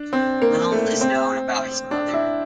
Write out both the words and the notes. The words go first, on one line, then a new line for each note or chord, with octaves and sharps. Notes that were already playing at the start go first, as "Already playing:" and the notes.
Little is known about his mother.
Already playing: D4
C4
A#3
A3
C4
D4
E4